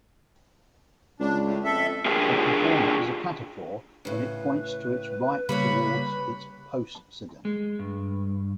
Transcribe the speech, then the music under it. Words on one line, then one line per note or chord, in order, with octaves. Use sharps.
A proform is a cataphor when it points to its right toward its postcedent.
C#2 D4
A2
F2 A4 E5
D4 F4 G4 G#4 A#4
A2 C#3 B4
C#3 G3 A#3 G4 C#5 B5
G#3
G2